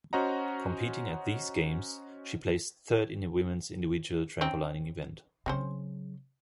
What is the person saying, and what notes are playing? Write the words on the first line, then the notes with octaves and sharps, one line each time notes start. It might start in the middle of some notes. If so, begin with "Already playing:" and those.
Competing at these games, she placed third in the women's individual trampolining event.
C#4 F#4 C5 D#5 F#5 A#5
C4 C#4 D#4
C#3 F#3 C4 C#4 C5